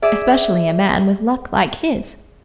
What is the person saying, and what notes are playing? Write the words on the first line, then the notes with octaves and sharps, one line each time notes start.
Especially a man with luck like his.
G#4 D5 E5